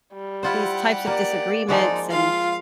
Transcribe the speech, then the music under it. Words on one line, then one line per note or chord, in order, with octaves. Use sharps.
these types of disagreements, and
G3
E4 F4 G4 C5 F#5
A#3 D5
F3 G#3 D#4 F#4 D5
F4 F5